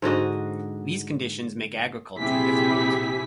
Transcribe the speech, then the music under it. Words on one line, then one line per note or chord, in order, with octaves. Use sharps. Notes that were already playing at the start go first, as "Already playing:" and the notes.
These conditions make agriculture difficult.
G#2 D3 F#4 D#5
A#1 C3 E4 G4 G#4 B6